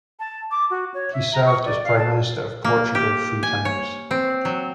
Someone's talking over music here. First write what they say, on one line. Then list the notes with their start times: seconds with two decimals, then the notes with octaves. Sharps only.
He served as Prime Minister of Portugal three times.
0.20 A5
0.51 D6
0.70 F#4
0.94 C#5
1.13 E5
1.33 A#5
1.46 C#6
1.65 D5
1.84 F5
1.98 A5
2.64 A#3
2.95 G4
3.43 G#5
3.65 C#5
4.11 C4
4.45 F#3